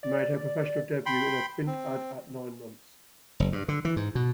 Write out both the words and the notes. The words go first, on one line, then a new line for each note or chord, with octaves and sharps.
She made her professional debut in a print ad at nine months.
D5
G5 B5 C6
C4
F#1
G2
D3
E3
G#2
B2